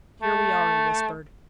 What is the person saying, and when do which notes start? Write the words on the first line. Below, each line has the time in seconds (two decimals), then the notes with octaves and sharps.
"Here we are," he whispered.
0.22 A3